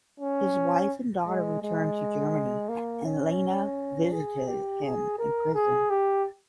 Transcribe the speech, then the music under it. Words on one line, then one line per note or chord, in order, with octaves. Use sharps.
His wife and daughter returned to Germany and Lena visited him in prison.
C#4
G#3
G#3
A#3
C#4
G#4
G4
G#4
A#4
G#4
G4